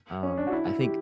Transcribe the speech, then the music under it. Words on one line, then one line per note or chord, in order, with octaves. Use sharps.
Um, I think
C#4
D4
F#4
E4
G4